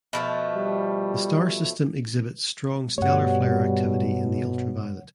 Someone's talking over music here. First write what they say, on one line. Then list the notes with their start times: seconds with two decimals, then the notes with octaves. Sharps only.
The star system exhibits strong stellar flare activity in the ultraviolet.
0.13 B2 F3 A3
0.56 G3
2.98 G2 B2 G3 A3 C#5 F#5